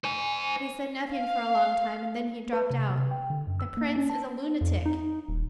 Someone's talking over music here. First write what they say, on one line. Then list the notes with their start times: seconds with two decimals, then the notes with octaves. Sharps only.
He said nothing for a long time, and then he dropped out, "The Prince is a lunatic!"
0.04 C5 G#5
1.11 F5
2.53 B4
2.70 C3
2.90 C3
3.11 G5
3.30 D3
3.47 F#2
3.60 E6
3.77 A#3
3.96 C#4
4.10 A5
4.61 F2
4.86 D#4
5.29 D#1